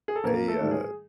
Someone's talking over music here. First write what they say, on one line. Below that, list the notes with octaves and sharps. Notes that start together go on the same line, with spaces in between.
a, uh
G#4
A4
A#1 A#3 A#4
A3 A4
G#2 D#3 G3
G#4